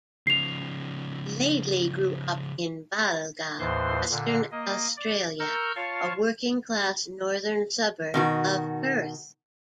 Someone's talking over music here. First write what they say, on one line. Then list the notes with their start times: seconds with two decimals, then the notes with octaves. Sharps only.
Laidley grew up in Balga, Western Australia, a working-class northern suburb of Perth.
0.27 C#3 F3 C7 F7
3.59 D#2 A2 E3 C5 C6
4.11 A#2 D3
4.51 A#3 D#5
4.97 D5
5.39 A#4 A#5 C#6 E6 F6 G6
5.76 F4 C#5 F5 A5 C#6
8.14 B2 D#3 F#4